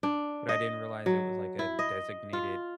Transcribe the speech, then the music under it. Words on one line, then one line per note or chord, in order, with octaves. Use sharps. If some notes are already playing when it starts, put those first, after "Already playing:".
but I didn't realize it was, like, a designated
D4
D#5
F#3
E4
D#5
F4